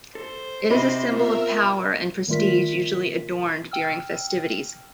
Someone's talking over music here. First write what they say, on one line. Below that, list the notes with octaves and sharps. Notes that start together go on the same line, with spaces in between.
It is a symbol of power and prestige usually adorned during festivities.
A4 C5
C3 C4 D#4 D#5 B5
B3 F4 A#4 E5
D#3 G3 A3 F4 A#4 B6
G5 E6 F6